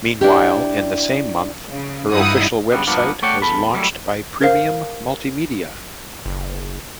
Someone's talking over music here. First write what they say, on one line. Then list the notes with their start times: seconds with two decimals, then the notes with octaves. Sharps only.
Meanwhile, in the same month, her official website was launched by Premium Multimedia.
0.21 D4 E4 G4
1.70 C#3
2.11 G2 E3 D#4 E4 F#5 D#6
2.71 G2 C#3 F#3 G3 B3
2.87 G2 F3 A#3 B3 D4
3.22 A3 C#5 D5 F#5 G5
3.42 E2 A4 B5
3.74 F#3 G3 A3 E4
4.41 A#4 C5 F5
6.26 F#1